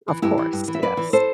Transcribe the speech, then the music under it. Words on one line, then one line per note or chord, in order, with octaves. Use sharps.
Of course, yes.
E3
G2 E4 G4
E3
G2
E3
E5
F#2 B4 D5
E3
A4 C5